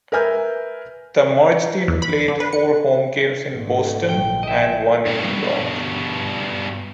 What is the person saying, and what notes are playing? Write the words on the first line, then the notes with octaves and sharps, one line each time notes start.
The merged team played four home games in Boston and one in New York.
A#4 B4 E5 G#5 F6 G6
E2
B5
D3
B4
C#7
G#1 D3 A3
A#1 G5
D#5 E5 G5
G2 B2